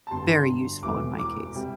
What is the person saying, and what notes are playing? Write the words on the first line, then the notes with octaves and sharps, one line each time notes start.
very useful, in my case.
A5
G1 G2 D3 G3 C6
A5
C6
E1 E2 E3 A3 D6
D6
C3 G3